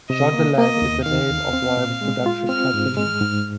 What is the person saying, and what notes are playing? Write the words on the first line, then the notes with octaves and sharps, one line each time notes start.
ShondaLand is the name of Rhimes's production company.
C3 D#5
A#3
A#3 D#5
D#2
D#3 F5
D#2
C4
A#2
G#3
F4
C4 F6
G#2
G#3 F6
G#2